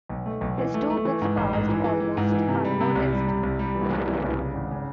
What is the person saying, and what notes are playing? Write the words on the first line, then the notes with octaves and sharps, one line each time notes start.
His two books passed almost unnoticed.
B1
A3
B1
E3
A3
A3
E3
G#2
A1
G#2
E3
E3
E3
G#2
E3
C3
G3
C3
C2
G3
C3
C2
G3
E3
C2
E3
C2
C#3
G#1
C#3